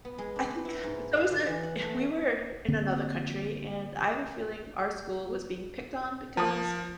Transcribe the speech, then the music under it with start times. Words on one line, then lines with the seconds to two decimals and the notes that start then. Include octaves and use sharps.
I think it's almost a uh, we were in another country, and I have a feeling our school was being picked on because,
0.05 B3
0.18 G#3
0.36 D4
0.50 B3
0.65 E4
0.83 G#2
1.17 F5
1.30 D3
1.47 E3
1.63 F#5
1.82 A3
2.68 D3 A#3 C4
6.37 F3 A5 D#6